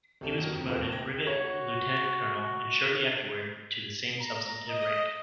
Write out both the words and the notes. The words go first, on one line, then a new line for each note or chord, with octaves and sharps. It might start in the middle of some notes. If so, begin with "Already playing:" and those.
He was promoted brevet lieutenant-colonel and shortly afterwards to the same substantive rank.
C2 G4 A4 E7 F7
D#3 F#3
F2
E1 F2 F4 A4 C5
F1
G5 G#6 A#6
F#4 C#5
A#5
D#5